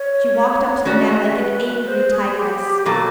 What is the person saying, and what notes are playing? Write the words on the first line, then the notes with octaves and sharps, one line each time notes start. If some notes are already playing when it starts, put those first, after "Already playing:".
She walked up to the man like an angry tigress.
Already playing: C#5
G#3 C#4 F#4 D5
D#5
E5
B4
C5
G#4
G4
B2 F#3 A#3 A4